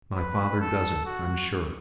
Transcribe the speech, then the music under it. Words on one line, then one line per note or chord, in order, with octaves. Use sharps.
My father doesn't, I'm sure.
B4
A4
F#4